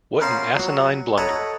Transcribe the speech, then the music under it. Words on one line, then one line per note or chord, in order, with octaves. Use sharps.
What an asinine blunder!
B3 C#4 A#4 C5 F5 C6
F#3 F#4
A4 B4 C#5 D#5 F#5 A#5